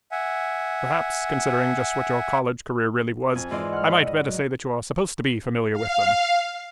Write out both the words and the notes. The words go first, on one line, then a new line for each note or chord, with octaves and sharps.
"Perhaps, considering just what your college career really was, I might better say that you are supposed to be familiar with them."
E5 F#5 G#5
F2 G#5
G#2 E3 F4 D5 D#5 C6
F#5 F6
E4 B4 F#5
D#5
F#3
F5